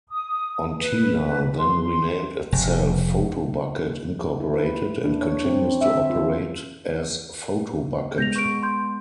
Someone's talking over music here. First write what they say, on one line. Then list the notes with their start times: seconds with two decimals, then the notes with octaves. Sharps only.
Ontela then renamed itself Photobucket Incorporated and continues to operate as Photobucket.
0.10 D#6
0.80 B4
1.57 C6
2.52 F1
4.40 E4
4.54 B4
4.89 A3
5.04 D4
5.21 C#5
5.44 C4
5.81 E5
5.95 D3
6.10 F4
8.18 G#3 B3 G6 A#6 F7
8.36 C#6 D7
8.63 C6 G6